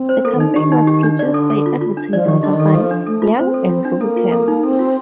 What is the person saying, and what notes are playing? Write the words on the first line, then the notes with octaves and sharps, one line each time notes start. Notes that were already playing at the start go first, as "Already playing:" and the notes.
The campaign was produced by advertising company Young and Rubicam.
Already playing: C4
C5
A#3 A4
D#3
D#4
D3
D#3 G4
D#4
G4
D4
D3 D5
A4
A4
F4
F4
D4
F3 D5
D#3 G4
D3 D#5
D#3
A4
F3 A4
D4
A3 A4
F4
C4 C5
A4
F4
D4
A#3 A4
F4
A4
D#4
C4 A4
F4